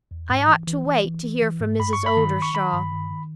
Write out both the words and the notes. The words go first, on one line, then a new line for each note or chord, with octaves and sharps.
I ought to wait to hear from Mrs. Oldershaw.
E2
G#2
E3
E3
E3
E3
E3
E3
G#2
G2 B5
G2 C#6
B5
D#3
D#3
C#6
D#3 B5
G2
D#3
D#3